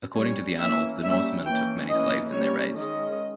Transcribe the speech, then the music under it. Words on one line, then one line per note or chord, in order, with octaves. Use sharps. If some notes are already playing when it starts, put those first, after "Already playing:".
According to the annals, the Norsemen took many slaves in their raids.
G3 C#4 C#5
E3 A#3 C#4 E5
G3 A#3 C#4 E5
E3 A#3 C#4 G5
E3 A#3 C#4 D#5
G3 A#3 C#4 C#5
D#3 G#3 C#4 D#5